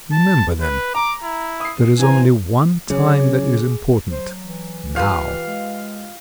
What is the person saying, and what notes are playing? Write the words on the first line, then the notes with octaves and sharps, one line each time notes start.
Remember then: there is only one time that is important--Now!
A5
B4
A#5 D6
E4
D#6 C7
E3 C4 G#5 A#5
C#3 F#3 C#4 G#4 C#5
F#3 C5
E3
F4 G4 B4 F5
G#3